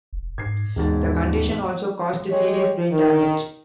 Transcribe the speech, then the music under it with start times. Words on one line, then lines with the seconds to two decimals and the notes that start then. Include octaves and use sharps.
The condition also caused serious brain damage.
0.13 F1
0.38 G#2 G#6 C7
0.76 E1 D#2 G#2 A6
2.29 G#3 G4 C#5
2.91 D#3